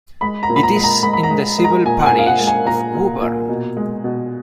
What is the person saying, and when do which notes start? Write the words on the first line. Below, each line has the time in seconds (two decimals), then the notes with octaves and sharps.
It is in the civil parish of Wooburn.
0.21 G#3 B5
0.43 A#5
0.49 A#2
0.56 B5
0.63 A#5
0.76 G#3
0.84 A#5
1.03 G#3 B5
1.13 B5
1.23 A#5
1.31 G#3
1.59 G#3
1.64 A#5
1.86 A#2 G#5
2.00 F#5
2.06 G#5
2.12 A#2
2.19 F5
2.26 F#5
2.40 G#3
2.47 G#5
2.67 A#2 A#5
2.94 A#2
3.22 A#2
3.49 B2
3.77 G#3
4.04 B2